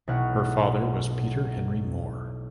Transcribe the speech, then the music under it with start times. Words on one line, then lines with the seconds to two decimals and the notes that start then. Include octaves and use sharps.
Her father was Peter Henry Moore.
0.08 B1 E4 C#5 F#5 F6 C#7